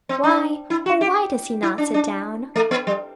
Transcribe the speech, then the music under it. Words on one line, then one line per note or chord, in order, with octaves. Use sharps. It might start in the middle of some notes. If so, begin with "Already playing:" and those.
Why, oh, why does he not sit down?
C4
D4
E4
F#4
G4
E4
D4
D4
A3
B3
G3